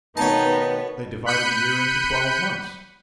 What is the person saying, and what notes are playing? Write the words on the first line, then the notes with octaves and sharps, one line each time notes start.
They divided the year into twelve months.
B2 D#3 B3 D#4 C#5 A5
B5 F#6 G6 B6 C#7 D#7